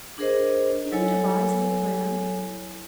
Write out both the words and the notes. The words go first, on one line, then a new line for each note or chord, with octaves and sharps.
Can you devise any plan?
D4 G#4 A#4 C5 D#5
F#3 E4 A4 C#5 G#5